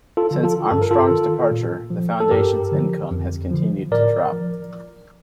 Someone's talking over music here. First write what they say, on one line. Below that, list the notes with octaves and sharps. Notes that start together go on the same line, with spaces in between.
Since Armstrong's departure, the foundation's income has continued to drop.
F4 A4
D3 F3
F4 A4
G2 A4
A#4
F4 A4
D#3
A#2
F3
A4
G2 G4 A#4
D3 F3
F2
D3 F3
A2 A#4 D5
F3